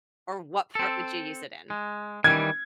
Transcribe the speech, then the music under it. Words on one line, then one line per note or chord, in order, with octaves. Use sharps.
Or what part would you use it in?
C4 A4
G#3
D#3 E3 G3 G#6